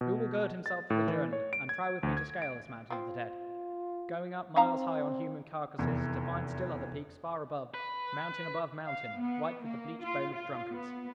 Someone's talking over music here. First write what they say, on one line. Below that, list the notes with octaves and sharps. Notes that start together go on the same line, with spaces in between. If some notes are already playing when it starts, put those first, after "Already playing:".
Who will gird himself for the journey, and try with me to scale this mountain of the dead--going up miles high on human carcasses, to find still other peaks far above, mountain above mountain, white with the bleached bones of drunkards!
B2
A6
A2
E3
C#5
D7
G#6
D2
G#6
D7
F3 C4 F4
C4 D#4 F5 A#5
F1 E2
B4
F5
B3
A#3
F4
F4
B3